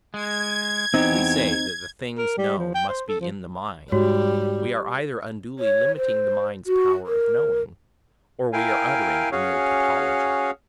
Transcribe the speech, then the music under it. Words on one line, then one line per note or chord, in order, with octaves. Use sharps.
If we say that the things known must be in the mind, we are either unduly limiting the mind's power of knowing, or we are uttering a mere tautology.
G#3 G#6
E2 C4 D#4 G4
A#4
G3
F3
G5
C5
A4
F3
G#2 G3 F#4 C#5
C#5
C5
F#4
A#4
E4 A#4 F5 G5 G#5
C#4 F#4 G#4 C#5 F5